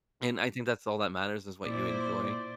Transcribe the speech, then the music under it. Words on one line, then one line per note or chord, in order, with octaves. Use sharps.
And I think that's all that matters is what you enjoy.
A#2 E4 C5 D5